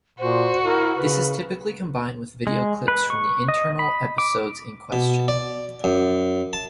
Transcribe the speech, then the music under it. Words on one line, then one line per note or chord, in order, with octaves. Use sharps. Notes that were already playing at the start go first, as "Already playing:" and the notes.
This is typically combined with video clips from the internal episodes in question.
A#2 F#4 C5
E4 A#4
C#3 B4
G#3
B4
C#6
D#5
B5
D6
B2
D5
F#2
A5